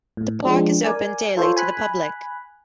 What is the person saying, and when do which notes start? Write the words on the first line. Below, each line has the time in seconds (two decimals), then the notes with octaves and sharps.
The park is open daily to the public.
0.17 A2
0.43 F3 G#3 C4 D4
0.84 A#4 D5 G#5
1.37 F4 A4 C5 C#5
1.56 G#5 B5 F#6